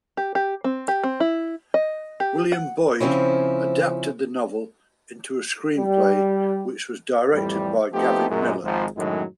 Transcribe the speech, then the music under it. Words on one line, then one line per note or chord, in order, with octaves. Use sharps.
William Boyd adapted the novel into a screenplay, which was directed by Gavin Millar.
G4
G4
C4
G4
C4
E4
D#5
G4
F#5
C#3 F3 C4 C#4 E4
G3
F2 A2 E3 G3
F3 A3 B3 C4 D#4 G4
F#2 A#2 G#3
G#1 G#2 F3
F#2 A2 D#3 F#3 G#3